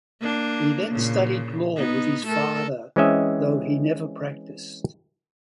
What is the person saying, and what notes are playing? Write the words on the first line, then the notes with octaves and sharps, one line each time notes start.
He then studied law with his father though he never practiced.
A#3 D4
A#2 C#3
B3 D#4
A3 A4 A#4
E3 G#3 C4 C#4 D#5 E5